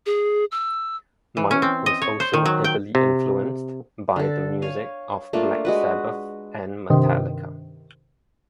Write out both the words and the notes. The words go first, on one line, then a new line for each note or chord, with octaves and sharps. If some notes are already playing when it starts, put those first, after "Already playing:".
Mike was also heavily influenced by the music of Black Sabbath and Metallica.
G#4
E6
E3
C#4
C4
D#5
C#5
C5
D#3
F#3
G5
C3
D3 A4
C#5 F5 G#5
A3 A#3 D4 F4
G#3 F#4 B4
G2 C3 D#3